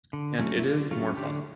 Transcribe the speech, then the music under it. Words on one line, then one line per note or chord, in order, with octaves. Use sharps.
And it is more fun.
D3
F#3 A3 C#4
E4
D3 F4
F#3 A3 C#4 F4
D3 G4